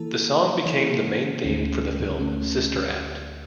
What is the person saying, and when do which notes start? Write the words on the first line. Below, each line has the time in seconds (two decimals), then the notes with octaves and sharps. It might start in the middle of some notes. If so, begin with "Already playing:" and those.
The song became the main theme for the film, "Sister Act".
Already playing: E3 A#3 E4 A4
0.65 E3 A#3 E4 A4
1.42 D2 D3 A3 C#4
2.19 D2 D3 A3 C#4